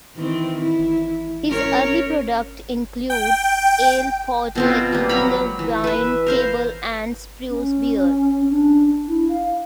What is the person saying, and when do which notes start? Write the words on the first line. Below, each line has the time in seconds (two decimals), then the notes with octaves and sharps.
His early product included ale, porter, ginger wine, table and spruce beers.
0.16 D#3 E3 C4
0.59 E4
1.49 C#4 A#4 C#5
3.10 G5
4.55 B2 C4 F4
4.92 G3 A#3
5.09 F#3 A#5 B5
5.59 E3
5.84 B4 E5
6.26 A#4 C5 F5
7.50 C#4
8.50 D4
9.08 E4
9.29 F5